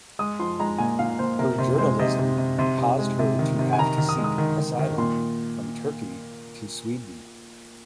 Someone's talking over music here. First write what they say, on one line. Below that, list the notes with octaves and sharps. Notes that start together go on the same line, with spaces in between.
Her journalism caused her to have to seek asylum from Turkey to Sweden.
G#3 D#6
F3 C6
G#3 A#5
A#2 G#5
A#2 F5
A#2 C5
C3 A#4
C3 C5
G#3 C5
C3 D#5
C3
C3
C3 C6
C3
G#3
C3
D#3
C3
G#5
D#3 A#5
D#3
D#6
G#3
D#6
D#3
D#3
D#3
A#2 C6